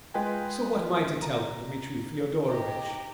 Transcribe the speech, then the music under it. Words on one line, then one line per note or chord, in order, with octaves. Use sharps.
So what am I to tell her, Dmitri Fyodorovitch?
G#3 F4 B4 D#5 G5 G#5
A#5
D#4 G4 A#5